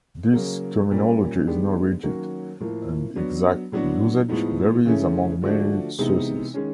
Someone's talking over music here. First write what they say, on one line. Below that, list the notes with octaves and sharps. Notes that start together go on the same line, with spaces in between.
This terminology is not rigid, and exact usage varies among many sources.
C#3 F#3 A#3
A#2 G3 A#3 C#4
D#3 G#3 B3 D4 G4
D#3 F#3 A#3 C#4 F#4
A2 F3 A#3
F#3 B3 D4 F#4
A2 F#3 B3 D4 F#4
A2 F3 G#3 B3 D#4
C#3 E3 A3 C#4
D3 F3 A3 D4 F#4
C3 E3 G#3 B3 D#4
D#3 G#3 C#4